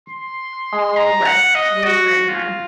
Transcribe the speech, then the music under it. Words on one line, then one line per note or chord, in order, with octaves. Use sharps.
All right; we'll bring her!
C6
A#5
F#5
D#5
F#4
F4